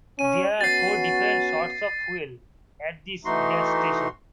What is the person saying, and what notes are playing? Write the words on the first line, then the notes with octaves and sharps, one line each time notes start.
There are four different sorts of fuel at this gas station.
C#4 D#7
B3 C#4 F#4 A6 C7
E3 A3 D#4 F#4 C6